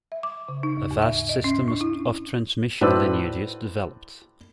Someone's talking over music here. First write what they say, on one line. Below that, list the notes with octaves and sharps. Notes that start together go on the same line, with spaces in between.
A vast system of transmission lineages developed.
E5
D6
C#3
D#4
D#2
G#2
E5
E5
D#5
C#4
D4
E4
A2 F#4 B4 C5 D5 E6